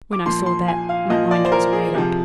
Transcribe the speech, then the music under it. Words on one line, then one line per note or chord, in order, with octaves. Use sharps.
When I saw that, my mind was made up.
D6
A#2 F3 C6
C6
G#5
F5
A#2 F3 D#5
D5
C5
A#4
G#4
C3 F3